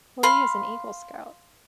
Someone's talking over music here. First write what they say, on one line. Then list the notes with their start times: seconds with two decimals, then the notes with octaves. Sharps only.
Lee is an Eagle Scout.
0.23 F5 B5 C6